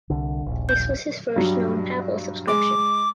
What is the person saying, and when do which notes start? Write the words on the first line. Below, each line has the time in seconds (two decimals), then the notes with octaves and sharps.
This was his first known papal subscription.
0.10 C2 D3
0.46 D#1 A#1
0.69 G6
1.36 G2 F#3 G3
2.47 G#3 D6